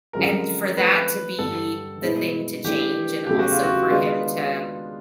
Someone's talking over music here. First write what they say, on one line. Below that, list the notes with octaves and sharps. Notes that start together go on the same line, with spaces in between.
And for that to be the thing to change and also for him to
F#2 D3 F3 G#3 C4 A#4
F3 A3 C4 B4
G2 D3 G3 A4
B2 G#3 B3 E4
E3 A3 D4 G4
E2 C#3 F#3 A3 G4
F#4
F4
F#4
D#3 G#3 B3 D4 F4